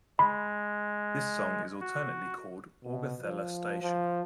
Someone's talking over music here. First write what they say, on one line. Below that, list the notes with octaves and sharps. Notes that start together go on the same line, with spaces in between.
This song is alternately called "Augathella Station".
G#3 B5
F#4
B2
F3
F3